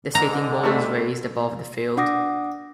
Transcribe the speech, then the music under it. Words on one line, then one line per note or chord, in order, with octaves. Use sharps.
The seating bowl is raised above the field.
G#2 D3 A#5
C3 G3 A3
D4 F#5 D6 D#6 A#6